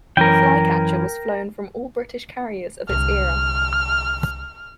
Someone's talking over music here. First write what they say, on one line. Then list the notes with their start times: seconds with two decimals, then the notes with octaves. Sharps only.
The Flycatcher was flown from all British carriers of its era.
0.17 F#2 E3 C#4 A#4 G5
2.89 C2 D3 F6